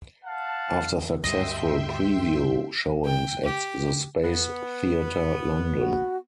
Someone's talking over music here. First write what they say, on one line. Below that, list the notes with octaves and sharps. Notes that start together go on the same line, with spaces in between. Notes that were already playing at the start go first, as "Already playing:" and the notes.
After successful preview showings at The Space Theatre, London.
F5 F#5 A5
D2 G2 G3 D#5 E5 G5 C6
G5
G4
B3
F#4